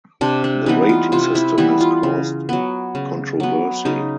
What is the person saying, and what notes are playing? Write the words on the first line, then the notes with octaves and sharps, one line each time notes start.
The rating system has caused controversy.
C3 D4
D4
E3 G3 B3 D#4
F4
C3 F4
E4
E3 G3 B3 E4
F4
C#3
F#3 B3
C#3
F#3 B3
C#3 D#4